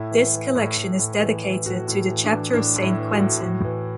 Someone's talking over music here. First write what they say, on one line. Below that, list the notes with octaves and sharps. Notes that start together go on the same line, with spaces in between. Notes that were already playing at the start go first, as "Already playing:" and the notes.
This collection is dedicated to the chapter of Saint Quentin.
Already playing: A2 E4
E3
E3
A2
A2
A2
E3
E3
A2 F#4
A2
E3
D4
E3
A2 D4
A2
E4
E3
F#4
A2
A2 F#4
E3